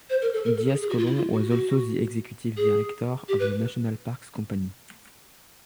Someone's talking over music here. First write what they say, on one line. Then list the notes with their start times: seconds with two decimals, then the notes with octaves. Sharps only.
Diaz Colon was also the executive director of the National Parks Company.
0.10 C5
0.22 A#4
0.34 A4
0.45 A#4
0.57 A4
0.69 G#4
0.81 G#4
0.90 F#4
0.98 F4
1.07 E4
1.15 F4
1.33 F#4
1.51 F#4
2.57 G#4
3.28 G4
3.39 B4